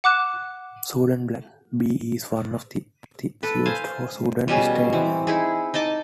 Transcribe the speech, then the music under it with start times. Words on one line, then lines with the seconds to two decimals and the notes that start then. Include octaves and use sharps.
Sudan Black B is one of the dyes used for Sudan staining.
0.04 F#5 D6 F#6 E7
3.43 A4 B4
3.66 C5 F5 G#5
4.48 B2 G3 C#4 G#4
4.93 E3 C4
5.27 D#4 E4 G#4
5.74 D#4 D#5 A5 D6